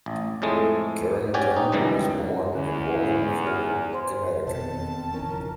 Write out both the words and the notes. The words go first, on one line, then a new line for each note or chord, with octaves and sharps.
Carrington was born in Wallingford, Connecticut.
A1
F2 A2 G#3 A3
C#4 F#4 G4 D5 G5 G#5
D#4
C#2 F#2 B2 D#3 E3 G3
E2 D3 C#4
E4
F6
C5 C6
F2 B2 A5
E1 D#3 B3
A#1 D#3 E3 C#4 A#4
F1 C#3 F3